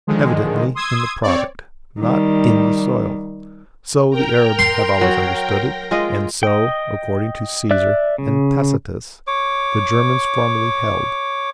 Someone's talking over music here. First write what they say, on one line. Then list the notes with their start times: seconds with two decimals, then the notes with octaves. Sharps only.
Evidently IN THE PRODUCT, not IN THE SOIL. So the Arabs have always understood it; and so, according to Caesar and Tacitus, the Germans formerly held.
0.07 D3 D#3 F3 G#3
0.75 C6 D#6 E6 G#6
1.23 C4 C#5 D5
2.00 D#3 G3
4.10 A#4 G5 A#5
4.59 C6
5.01 F#3 C#5
5.91 G#3 F4 D#5
6.43 D#5 G5
7.71 D5 E5 F#6
8.18 C#3
9.27 C#5 D6